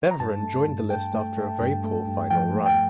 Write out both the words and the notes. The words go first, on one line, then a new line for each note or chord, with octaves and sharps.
Beveren joined the list after a very poor final run.
A#5
G2 A5
A3
G2
G2 G5
A3
A3
G2
A3
G2
F3 G5
A3
G5